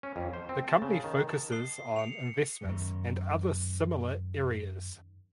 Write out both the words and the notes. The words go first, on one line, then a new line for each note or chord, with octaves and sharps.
The company focuses on investments and other similar areas.
C#4
F2
C5
C4
A5
C#3
D#3
A5
D#6 C7 G7
C#7 F7
F#2 D#3